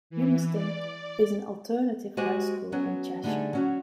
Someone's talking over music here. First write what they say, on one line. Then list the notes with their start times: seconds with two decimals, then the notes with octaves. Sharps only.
Humiston is an alternative high school in Cheshire.
0.10 E3
0.52 D5
2.17 G#3 F#4 G4 C5 G#5
2.72 F#3 B3 C#4
3.24 D3 G3 A3 D#4 G#4
3.53 F#3 C#4 F#4